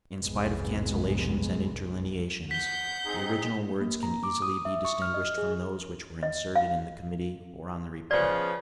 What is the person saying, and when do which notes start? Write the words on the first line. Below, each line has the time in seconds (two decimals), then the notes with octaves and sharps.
In spite of cancellations and interlineations, the original words can easily be distinguished from those which were inserted in the committee or on the report.
0.18 F1 B1 F2 G#2 G#3 B3
2.51 F#5 G6 B6 G7
3.05 C4 D#4 G#4
3.81 A#3
4.03 A#5
4.23 D6
4.42 D#6
4.65 E5
4.85 C#6
5.02 F6
5.14 D#5
5.38 G#4
6.23 D#5
6.56 F5
8.11 C#3 F3 B3 D5